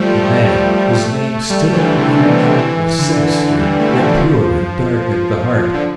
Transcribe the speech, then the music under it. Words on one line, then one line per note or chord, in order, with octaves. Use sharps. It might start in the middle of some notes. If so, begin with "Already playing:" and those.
The man, his name still out of reach, was sinister, impure and dark at the heart.
Already playing: F3 G3 A3
F3
A3
A3
A3
G3
E3
D3
C3
B2
D3
E3
D3
E3
G3
A3
F3
D3